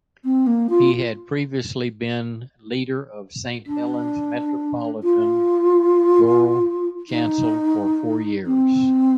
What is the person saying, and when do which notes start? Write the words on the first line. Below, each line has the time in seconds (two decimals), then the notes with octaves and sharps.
He had previously been leader of Saint Helens Metropolitan Borough Council for four years.
0.24 C4
0.46 A#3
0.69 F4
3.66 D4
5.03 F4
7.09 D#4
8.46 C4